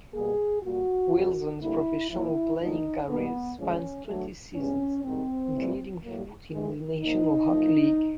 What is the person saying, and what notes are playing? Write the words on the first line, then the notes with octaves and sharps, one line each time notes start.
Wilson's professional playing career spans twenty seasons, including fourteen in the National Hockey League.
B2 G3 A#3 G#4
A#2 G3 A#3 F#4
F2 C#3 F3
D2 D3 G3 A#3 E4
A#2 F3 A#3 E4
D#2 D3 F#3 A3 D#4
B2 G3 A#3 B3
D2 C#3 F3 G#3 C#4
D2 D3 F#3 A3
G2 E3 G#3 C#4
G#2 D#3 G3 C4
A2 E3 G3 A#3
A2 F#3 A#3
G2 E3 G#3
A#2 F3 A#3 D#4
A#2 F3 A3